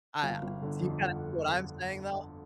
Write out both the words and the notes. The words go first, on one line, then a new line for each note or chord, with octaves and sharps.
I do you kinda see what I'm saying, though?
G1 F5
G1
D3
F2
F2 F#5